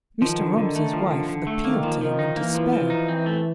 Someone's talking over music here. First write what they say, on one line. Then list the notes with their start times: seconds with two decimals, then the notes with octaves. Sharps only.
Mr. Romsey's wife appealed to him in despair.
0.22 D#3 F3
0.40 D3
0.57 D3
0.76 A3
0.93 F3
1.11 D3
1.29 D3
1.47 A3
1.65 D#3 A#3
1.83 F3
2.01 D#3 F3
2.19 D#4
2.37 E3 A#3
2.55 F3
2.73 F3
2.90 D#4
3.08 C4
3.26 A3